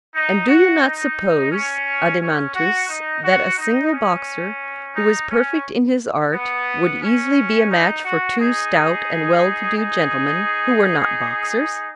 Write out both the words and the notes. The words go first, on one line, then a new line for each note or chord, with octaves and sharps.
And do you not suppose, Adeimantus, that a single boxer who was perfect in his art would easily be a match for two stout and well-to-do gentlemen who were not boxers?
D#4
F#4
D#4
C#4
C#4
F#4
D#4
F#4
D#4
C#4
D#4
C#4
B3
C#4
D#4
F#4
D#4 G#4
D#4 G#4